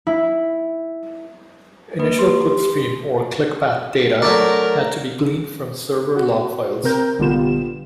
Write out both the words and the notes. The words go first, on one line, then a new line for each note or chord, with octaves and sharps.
Initial clickstream or click path data had to be gleaned from server log files.
E4
A#3 B4
G4 C6
F#3 A3 D4 A#4
F#4
C3 C4 A#4 G6
A#1 D3 G3 B3 F4 E7